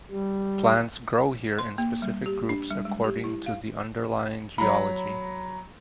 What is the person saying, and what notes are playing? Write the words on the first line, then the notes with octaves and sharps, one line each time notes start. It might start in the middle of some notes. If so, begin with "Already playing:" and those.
Plants grow here in specific groups according to the underlying geology.
G3
C6
A#3
G3
G4
D4
G3
G#3
G4
E4
F5
F#3 A#5 B5